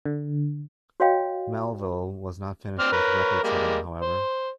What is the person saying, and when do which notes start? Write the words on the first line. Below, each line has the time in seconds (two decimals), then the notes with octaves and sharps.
Melville was not finished with record-setting, however.
0.05 D3
1.00 F#4 C#5 D#5 F5 G5
2.79 C4 D5 F6
2.92 A#4 B4 C#5
3.43 G3 G#3 A#3
4.02 C5